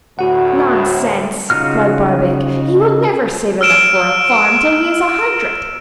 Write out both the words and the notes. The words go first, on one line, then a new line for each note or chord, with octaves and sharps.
'Nonsense,' cried Barbaik, 'he will never save enough for a farm till he is a hundred.
D2 A2 F#4 F#5
C#3 D#4 F4 F#4 F6
E6 F6 D7 E7